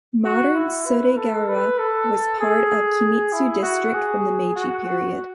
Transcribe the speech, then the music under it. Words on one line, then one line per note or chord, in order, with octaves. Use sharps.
Modern Sodegaura was part of Kimitsu District from the Meiji period.
F#4
E4
B4
A4
B4
A4
G#4
E4
F#4
G#4
F#4
F#4